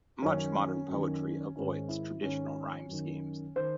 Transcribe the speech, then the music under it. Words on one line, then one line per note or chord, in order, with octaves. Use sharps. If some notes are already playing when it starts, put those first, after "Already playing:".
Much modern poetry avoids traditional rhyme schemes.
F#2 D#3 C#4
F#2 D#3
G#2 D#3 C#4
E4
G#2 D#3 C#4
F#2 D#3
D#3 C5